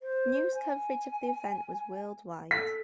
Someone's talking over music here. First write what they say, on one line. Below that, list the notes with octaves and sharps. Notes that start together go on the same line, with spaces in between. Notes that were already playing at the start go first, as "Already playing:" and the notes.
News coverage of the event was worldwide.
C5
G#5
A4 B6